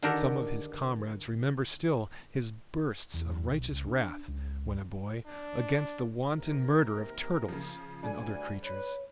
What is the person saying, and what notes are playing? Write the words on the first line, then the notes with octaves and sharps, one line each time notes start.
Some of his comrades remember still his bursts of righteous wrath, when a boy, against the wanton murder of turtles and other creatures.
D3 D#3 F#4 G4 A4 A#4
E2
B1
C#2
D4
C#2
D4
D#2 C3 A#4
C#3 F3
D2 G3 A3 D4 G#5
B4 C#5